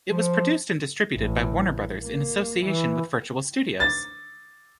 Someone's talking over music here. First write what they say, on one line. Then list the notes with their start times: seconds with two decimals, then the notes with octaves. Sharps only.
It was produced and distributed by Warner Brothers in association with Virtual Studios.
0.09 F3
1.16 A1
2.02 A#3
2.64 E3
3.80 A6